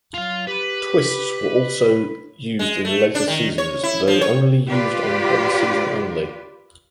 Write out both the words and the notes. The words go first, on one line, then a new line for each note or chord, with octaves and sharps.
Twists were also used in later seasons though only used on one season only.
F#3 F4 F5
G4 B4
G#3
A3
D4
D#3
C#5
E4
F3
C#5
F4 G4 B4 D5